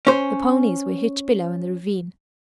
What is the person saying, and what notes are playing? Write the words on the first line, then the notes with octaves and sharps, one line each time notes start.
The ponies were hitched below in the ravine.
C#4 C5